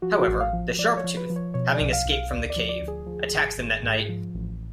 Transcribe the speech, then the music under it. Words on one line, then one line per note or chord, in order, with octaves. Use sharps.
However, the Sharptooth, having escaped from the cave, attacks them that night.
F3 F#4
F#4
A1
F5
F3
F3 D5
C#5
F3
B4
F3
C#5
B2 C#5
D5
B1
F5
B1
F5
D2 D5
D5
F3
D5
D2
G#4
F3
G#1
G#1
G#2
F3
A1